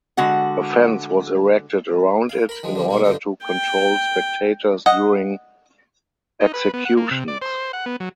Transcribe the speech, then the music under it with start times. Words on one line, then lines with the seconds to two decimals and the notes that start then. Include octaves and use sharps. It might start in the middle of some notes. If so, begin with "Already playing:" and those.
A fence was erected around it in order to control spectators during executions.
0.17 D3 G#3 F#4 F#5
2.29 F5
2.49 A#4 B5
2.63 D#3 F3 G#3
2.75 D3 F3 G3
2.88 B2 G3 A#3
3.04 G2 D3 D#4 F4
3.45 G5
4.86 D#5 F#5
6.41 D#4
6.54 B4
6.74 B3
6.85 F#5
6.97 A#3
7.11 C3
7.28 D5
7.42 C5
7.73 F#5
7.86 B3
8.00 F#3